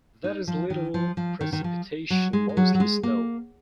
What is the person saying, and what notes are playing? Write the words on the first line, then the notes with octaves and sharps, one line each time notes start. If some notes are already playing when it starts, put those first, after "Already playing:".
There is little precipitation, mostly snow.
D#4
F3
D#3
F3
F3
D#3
D#3
F3
F#3
G#3
G#3
F#3
F#3
G#3
A#3